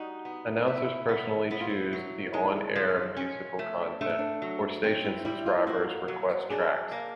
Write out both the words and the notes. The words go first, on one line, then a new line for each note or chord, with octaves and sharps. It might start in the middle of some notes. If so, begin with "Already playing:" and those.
Announcers personally choose the on-air musical content, or station subscribers request tracks.
Already playing: G3 D#4 F#4
B3
E4
B3
B3 E4
F4
E4
F#3
G#3 D#4
F3
C#4
A3
A3 D4
D#4
D4
F#3
C4 D#4
E4
G3 E4
F4
A#3 F#4
F#3
D4 G#4
A#3